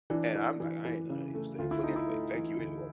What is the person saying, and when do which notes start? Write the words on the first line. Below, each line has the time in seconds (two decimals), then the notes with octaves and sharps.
and I'm like, "I ain't none of those things, but anyway, thank you anyway."
0.10 E3 D4
0.35 E3
0.60 E3
0.85 E3
1.09 C#3
1.35 A3
1.59 D2 F4
1.71 E4
1.83 A3 D#4
1.96 E4
2.09 A3
2.34 E3
2.59 D2